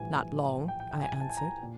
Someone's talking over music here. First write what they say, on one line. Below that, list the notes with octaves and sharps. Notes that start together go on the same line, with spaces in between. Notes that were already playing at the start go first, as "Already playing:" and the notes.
"Not long," I answered.
Already playing: A#1 A2 E3 G3 G#5
G5
G5
G5
G#5
G#5
A5
G#5
A#5
A#2